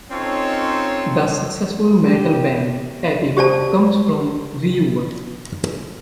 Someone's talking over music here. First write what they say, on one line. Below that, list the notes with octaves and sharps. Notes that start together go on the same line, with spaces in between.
The successful metal band Epica comes from Reuver.
C4 C#4 D#4 F4 A4 C#5
G4
G4 C5 D5 A5